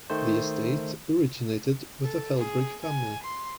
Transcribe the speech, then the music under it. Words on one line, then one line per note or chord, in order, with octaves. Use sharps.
The estate originated with the Felbrigg family.
D#3 A3 C5
A4
G#4
G#5
C6